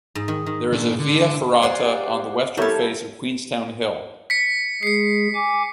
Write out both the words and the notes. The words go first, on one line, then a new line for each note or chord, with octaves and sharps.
There is a via ferrata on the western face of Queenstown Hill.
G#2
D#3
D#3
A#2 D4
D3
G4 G#4 C5 D5 F5 F#5
G3 E4 A4 A#4 C#5 A5
B6 C#7
G#3 G#4 C7 C#7
G#5 D6